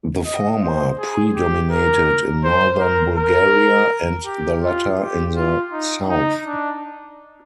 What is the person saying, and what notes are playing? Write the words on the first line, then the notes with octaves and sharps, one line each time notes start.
The former predominated in northern Bulgaria and the latter in the south.
D#5
C5
G#4
G4
A#4
C5
A#4
A#4
G4
F4
G4
F4
D#4
D#4
D4